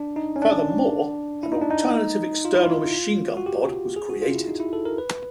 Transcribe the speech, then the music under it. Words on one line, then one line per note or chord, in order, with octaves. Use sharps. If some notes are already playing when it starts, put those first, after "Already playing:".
Furthermore, an alternative external machine gun pod was created.
Already playing: D4
D#4
C#4
D4
E4
D#4
D4
D#4
F4
E4
F4
F#4
G4
G#4
F#4
F4
E4
D#4
E4
A4
A#4
B4